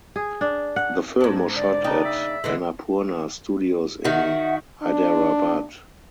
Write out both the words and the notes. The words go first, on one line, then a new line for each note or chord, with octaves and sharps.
The film was shot at Annapurna Studios in Hyderabad.
G#4
D4
F#5
G#2 D4
D3 D5
C#3 A#3 D4 D#4 G5
E5
D3 E3 G#3
D#3 F#4 E5 F#5
D4